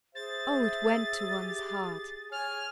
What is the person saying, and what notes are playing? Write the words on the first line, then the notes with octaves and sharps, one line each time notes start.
O! it went to one's heart!
G#4 C5 E5 A6
G4
C#5 G#5 F6